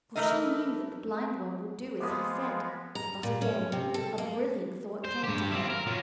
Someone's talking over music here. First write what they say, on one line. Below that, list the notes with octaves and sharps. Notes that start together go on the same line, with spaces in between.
For she knew that the Blindworm would do as he said. But again a brilliant thought came to her.
E3 A3 E4 A#4 D#5
F3 G#3 B3 D6 D#6
A#5
A#2
C#4
C3
A4
A#3
C5
G2 G4
C4 E4
A#4
F3 F#3